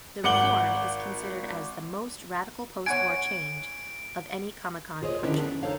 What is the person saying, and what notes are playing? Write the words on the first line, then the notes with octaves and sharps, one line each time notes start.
The reform is considered as "the most radical postwar change" of any Comecon country.
G#1 F#5 D6 C#7 F#7 G7
C#5 F#5 G#5 D7
F4 G#4 C5 C#5 D#5
D3 D#3 C#4 D4 E4 A#4
B3 D4
D#4 A4 C5 C#5 F5